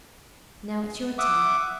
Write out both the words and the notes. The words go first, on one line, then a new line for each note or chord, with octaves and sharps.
Now it's your turn.
E5 F#5 D6 D#6